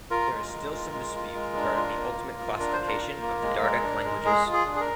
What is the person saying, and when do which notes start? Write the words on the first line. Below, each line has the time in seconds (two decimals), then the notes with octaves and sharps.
There is still some dispute regarding the ultimate classification of the Dardic languages.
0.11 F4 A#4
0.32 G#3
0.53 G#3
0.73 F4
0.93 G#3
1.15 F4
1.35 G#3
1.56 D4
1.76 F4
1.97 A#3
2.18 F4
2.39 F4
2.59 D4 A#4
2.73 C5
2.80 F4
2.87 A#4
3.01 F4
3.22 A#3
3.42 G#3
3.63 G#3
3.83 D4
4.04 G#3
4.24 G#3 G#4
4.46 F4
4.53 G#4
4.66 D4
4.76 G#4
4.80 A#4